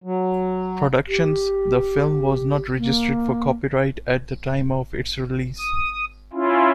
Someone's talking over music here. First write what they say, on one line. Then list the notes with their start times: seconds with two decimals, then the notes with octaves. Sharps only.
Productions, the film was not registered for copyright at the time of its release.
0.04 F#3
1.07 G4
2.78 A#3
5.58 D#6
6.33 C#4 E4 F4